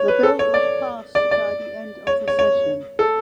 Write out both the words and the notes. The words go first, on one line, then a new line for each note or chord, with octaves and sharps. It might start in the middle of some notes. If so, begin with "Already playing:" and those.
The Bill was passed by the end of the session.
Already playing: C#5
B4
A4
C#5
D5
D5
D5
C#5
C#5
C#5
A4